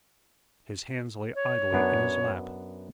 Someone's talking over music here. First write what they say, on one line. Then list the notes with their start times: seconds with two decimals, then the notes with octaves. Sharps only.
His hands lay idly in his lap.
1.35 C#5
1.73 F#2 B3 D4